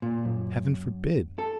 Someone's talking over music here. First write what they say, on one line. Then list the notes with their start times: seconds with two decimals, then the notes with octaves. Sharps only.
Heaven forbid!
0.02 A#2
0.25 F#2
1.38 A4